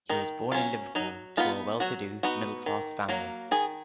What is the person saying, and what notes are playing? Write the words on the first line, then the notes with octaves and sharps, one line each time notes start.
He was born in Liverpool to a well-to-do middle-class family.
D#3 D#4
F#3 C#4 F4
F#3 D#4
B3 D#4 F4
F#3 F#4
B3 D#4 F#4
D#3
F#3 A#3
D#3 G#4